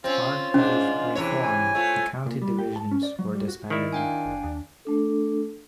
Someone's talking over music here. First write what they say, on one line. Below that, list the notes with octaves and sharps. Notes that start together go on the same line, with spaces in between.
As part of this reform, the County Divisions were disbanded.
C4 C#4 F4
G#2 C#4 D4
C3 E3 C#5
G#5
A3 F4
A#2
G3
G4
A5
C#4
D5
F#3
G3
F#4
D#3 E4 D5
D4 F5 G5 G#5
F#1
D#2
A3 D4 A4